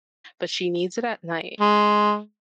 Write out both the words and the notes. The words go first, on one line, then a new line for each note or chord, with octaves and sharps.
but she needs it at night,
G#3